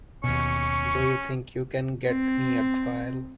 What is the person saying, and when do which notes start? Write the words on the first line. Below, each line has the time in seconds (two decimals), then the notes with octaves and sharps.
Do you think you can get me a trial?
0.24 D#2 B2 C#4 C#6
2.08 C4